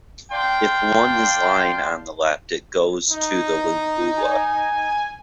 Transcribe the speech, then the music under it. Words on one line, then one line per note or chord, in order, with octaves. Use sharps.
If one is lying on the left, it goes to the lingula.
D5 F5 G5 A5 C6
D#4
G#5